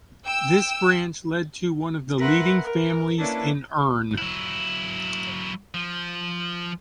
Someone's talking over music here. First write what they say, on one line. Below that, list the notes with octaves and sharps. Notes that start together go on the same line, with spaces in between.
This branch led to one of the leading families in Urn.
G5 E6
A#4 B4 E5 F#5 B5 C6
A#4
A#3 C#4 D4 E4 A4 B4
F#3 E4
F3